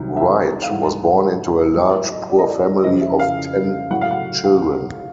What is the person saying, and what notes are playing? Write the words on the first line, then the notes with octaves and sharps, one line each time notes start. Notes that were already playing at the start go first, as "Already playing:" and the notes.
Wright was born into a large poor family of ten children.
Already playing: C2 C3 D#3 F#3
E5
F5
G#2 E3 G3 F#5
A2 F#3 G5
E5
D#5
D5
D#5
D5
F2 C#3 F3 D#5
E5
F5
A2 F#3 F#5
F5
F#5
F5